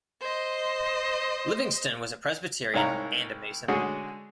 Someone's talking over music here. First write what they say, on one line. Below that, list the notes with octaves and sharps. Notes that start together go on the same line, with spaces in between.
Livingston was a Presbyterian, and a Mason.
C5 D#5
C2 G#2 C#5 F5 A#5
D3 G#3 F#4 G#4 C#5